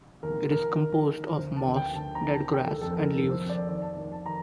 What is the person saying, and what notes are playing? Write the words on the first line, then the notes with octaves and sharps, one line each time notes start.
It is composed of moss, dead grass and leaves.
D#2 A#4
D#3 A#4
D#3
D#3
D2 C5
A5
D2
G5
D2 A5
A#5
D#3
A5
D#3 G5
A4
F2 A4
A#4
D#3 A#4
C5
F2
D5
D#2 D5
A5
D#3
A5
D#3 A#5